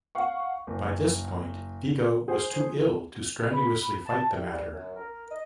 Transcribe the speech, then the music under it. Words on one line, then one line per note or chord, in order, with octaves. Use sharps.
By this point, Vigo was too ill to strenuously fight the matter.
F5 F#5 C#6
F#1
G#4 C5
B5
A5
C2
G3
F#2
A#4
D#5